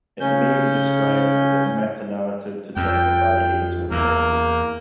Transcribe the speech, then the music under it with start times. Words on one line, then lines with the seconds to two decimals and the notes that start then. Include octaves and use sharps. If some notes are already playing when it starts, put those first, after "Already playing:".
It may be described as a metanarrative to justify atonality.
0.20 C#3 C#4 G6
2.77 F2 G5
3.91 E2 A#3